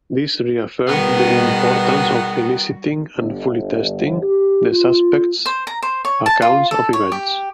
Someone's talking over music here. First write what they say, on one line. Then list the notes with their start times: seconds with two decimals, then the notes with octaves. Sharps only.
This reaffirmed the importance of eliciting and fully testing the suspects’ accounts of events.
0.88 B2 D#3 G3 G#3 B3 F#4
3.17 G1
4.22 G4
4.71 F4
5.46 C5
5.67 A#5
5.82 C5
6.05 C#5
6.26 A5
6.42 F4
6.71 A4
6.93 C#5
7.12 G4